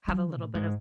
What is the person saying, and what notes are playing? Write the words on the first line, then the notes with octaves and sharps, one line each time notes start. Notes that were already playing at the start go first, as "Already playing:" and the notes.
Have a little bit of
F#3
A2
G#2